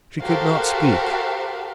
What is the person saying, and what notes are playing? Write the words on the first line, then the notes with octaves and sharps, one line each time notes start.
She could not speak.
F#4 G4 A4 A#4 C5 F5